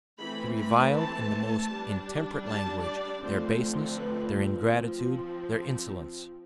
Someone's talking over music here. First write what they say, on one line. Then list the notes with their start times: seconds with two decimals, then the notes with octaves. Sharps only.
He reviled, in the most intemperate language, their baseness, their ingratitude, their insolence.
0.21 E3 A3 C4 B5
0.58 B5
0.96 A5
1.72 G3 D4
2.47 A5
2.83 D5
3.22 D3 F3 A3 C4 C5
3.97 B4
4.71 F3 C4